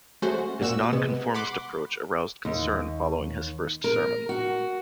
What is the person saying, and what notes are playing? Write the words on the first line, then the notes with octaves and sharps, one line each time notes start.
His non-conformist approach aroused concern following his first sermon.
G#3 A3 C#4 F#4 C5
A#2 F#4 E6 E7
C3 G#3 B3
F#5 B5 C6 D6
D#2
A#4
F#4